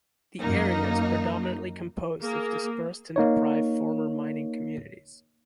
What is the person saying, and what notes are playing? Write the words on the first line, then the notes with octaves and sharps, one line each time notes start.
The area is predominantly composed of dispersed and deprived former mining communities.
F#2 A#3 D#4
A#3 G#4
A#3 D#4 C#5